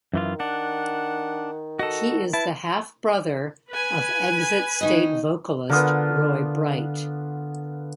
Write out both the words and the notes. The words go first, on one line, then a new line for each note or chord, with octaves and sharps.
He is the half-brother of Exit State vocalist Roy Bright.
F#2 D#3 E3 F4
D4 F#5
F#4 A4 D#5
E4 B4 A5
B4 G#5
D#3 D#4 D#5
D3 B3 F4 A#4 D#6